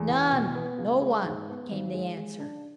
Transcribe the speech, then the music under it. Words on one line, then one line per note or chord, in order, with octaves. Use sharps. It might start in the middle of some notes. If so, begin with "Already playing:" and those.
"None--no one," came the answer.
Already playing: E2
E3
B2
B3
C#2
G#3
G#2
B3
G#1
G#3
G#3
D4